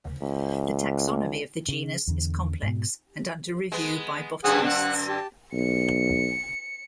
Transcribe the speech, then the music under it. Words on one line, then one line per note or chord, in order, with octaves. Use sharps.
The taxonomy of the genus is complex, and under review by botanists.
C#2
C#3
E2 D3
G#2 B2
G#3 B3
F#2 D3 C4 G#4 F#5 D#6
F#5
G4 A5
B1 C#7